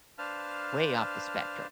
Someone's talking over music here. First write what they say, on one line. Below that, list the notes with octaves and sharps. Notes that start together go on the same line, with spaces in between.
way off the spectrum.
D4 B4 C5 F5 A5 F6